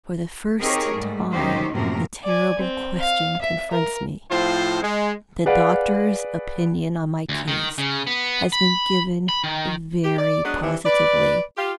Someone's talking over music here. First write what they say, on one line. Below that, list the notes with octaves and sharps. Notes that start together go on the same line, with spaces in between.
For the first time, the terrible question confronts me: The doctor's opinion on my case has been given very positively.
C4 D#4 G4 G#4 A#4 C#5
G#2 G3 A3
D#3 F#3 C#4 D#4 G4 C5
F#2 A2 C3 F3 A#3 A#4
D5 G#5
C4
F5
E5
A#4
A2 F3 C4 F4 C5
G#3
G#4 B4 D5 F5 F#5
D2
D#3
C#3
B3
B5
B5
D#3
G4
D5
F#3 G#3 B3 D4 B4
G2 C3 E3
B4 D5
F4 G4